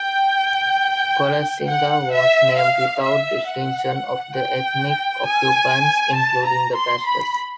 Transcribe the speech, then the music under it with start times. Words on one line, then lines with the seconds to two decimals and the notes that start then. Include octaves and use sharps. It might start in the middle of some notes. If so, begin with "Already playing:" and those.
Quillasinga was named without distinction of the ethnic occupants including the Pastos.
Already playing: G5
1.68 F#5
2.13 E5
2.59 F5
3.03 E5
3.48 F#5
4.37 G5
5.27 G#5
6.17 A5
6.46 A#5
6.76 C6
7.06 B5